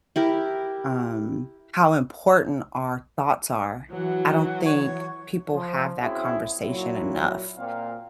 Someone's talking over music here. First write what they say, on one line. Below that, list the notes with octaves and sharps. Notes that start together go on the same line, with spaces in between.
um, how important our thoughts are. I don't think people have that conversation enough.
E4 G4 A#4
E3 F#3 F#4
C#5
F3
C4 C#4 E4 F#4 G#4 E5
A#2 F#3 E4
A#2 C4 F5